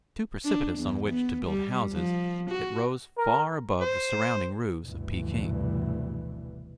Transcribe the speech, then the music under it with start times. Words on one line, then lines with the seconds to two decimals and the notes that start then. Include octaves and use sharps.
Too precipitous on which to build houses, it rose far above the surrounding roofs of Peking.
0.45 D4
0.79 E2
1.11 B3
1.46 G3
1.93 F3
2.50 F#4
3.18 A#4
3.81 C5
4.85 F1 D2 G2 B2 E3